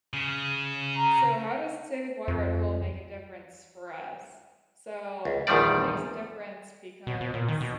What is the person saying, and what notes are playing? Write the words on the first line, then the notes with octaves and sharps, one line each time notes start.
so how does saving water at home make a difference for us? So, it makes a difference because
C#3
A#5
F2
C#2
A#1 E2 D#3 F3 G3 D5
B2
B2
A#2
D#3
B2